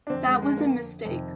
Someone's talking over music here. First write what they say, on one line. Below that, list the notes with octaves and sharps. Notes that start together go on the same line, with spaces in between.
That was a mistake.
D4
F2 D3 C4
G#3
G#3
A#3
F2 C3 D#3